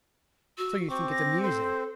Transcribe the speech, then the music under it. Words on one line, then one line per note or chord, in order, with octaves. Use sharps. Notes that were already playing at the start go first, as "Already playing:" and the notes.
"So you think it amusing?"
F#4 E6
C4 C#6 D6
A#6
A4 C5